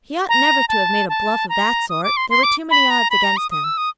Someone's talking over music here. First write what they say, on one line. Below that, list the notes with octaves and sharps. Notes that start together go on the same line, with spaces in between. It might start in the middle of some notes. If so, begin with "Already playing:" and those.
"He ought never to have made a bluff of that sort; there were too many odds against him."
A#5
A5
A5
A#5
D#6
D6
C6
C6
D6
B5
A#5
B5
A#5
D#6
D#6
E6
D#6